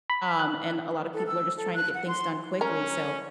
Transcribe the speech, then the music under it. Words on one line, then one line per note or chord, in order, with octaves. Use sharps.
Um, and a lot of people are just trying to get things done quickly. So
B5
F#6
A4
E6
A4
F#6
F#5
C6
C#4 A#4